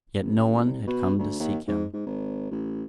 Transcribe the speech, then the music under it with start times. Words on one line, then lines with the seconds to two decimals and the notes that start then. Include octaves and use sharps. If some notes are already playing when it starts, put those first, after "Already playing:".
Yet no one had come to seek him.
0.20 A1
0.64 C2
0.87 B2
1.18 D2
1.40 D#2
1.67 G#2
1.93 G#2
2.06 G#1
2.50 A1